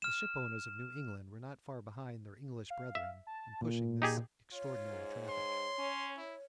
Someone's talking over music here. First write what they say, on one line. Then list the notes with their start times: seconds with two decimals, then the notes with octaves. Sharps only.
The ship owners of New England were not far behind their English brethren in pushing this extraordinary traffic.
0.02 F6 E7
2.70 F5
2.95 E5
3.27 A5
3.61 A#2
4.02 D#4 G4 G#4
4.52 F4 C#5
4.89 G#2
5.29 C6
5.79 C#4
6.18 E4